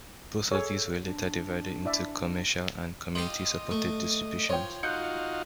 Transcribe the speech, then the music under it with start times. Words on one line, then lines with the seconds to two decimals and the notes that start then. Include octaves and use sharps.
Both of these were later divided into commercial and community-supported distributions.
0.51 G#4 A4 C#5
1.03 D4
1.85 E4 D5 E5
3.15 F4 G4 D#5 F#7
3.71 A3
4.49 F3 C#5 G5
4.83 D#4 F4 F#4 F#6 G6 C#7